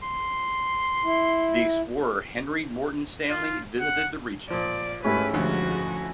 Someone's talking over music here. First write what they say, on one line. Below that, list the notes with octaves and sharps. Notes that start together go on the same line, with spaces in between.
The explorer Henry Morton Stanley visited the region.
C6
E4
F4
F#5
A#2 F3 D5
G#2 A3 C#4 E4 G4 A4 B4
D2 F3 F#4